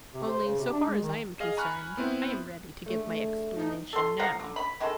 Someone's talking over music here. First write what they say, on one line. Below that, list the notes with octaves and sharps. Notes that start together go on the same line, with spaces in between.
Only, so far as I am concerned, I am ready to give my explanation now.
C3
C5
C#3
C3
D4
G#3
D#3
G#4 D#5 F5
G#5 A#5 B5 C#6 F6 F#6
B3 C4 E4
A3 D4 G#4
F3 D#4
A4 C6
F3 F5 F#5 A#5
D3
B5
D#3 G#3 A4